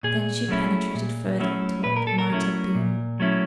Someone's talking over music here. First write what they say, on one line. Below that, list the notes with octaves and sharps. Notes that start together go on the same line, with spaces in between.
Then she penetrated farther into what might have been.
A#2 G#4
F#3 A3 C#4 E4
A#2
F#3 A3 C#4 E4
A#2 B4
A#4
A4
A#4
F#3 A3 C#4 E4
A#2
F#3 A3 C#4 E4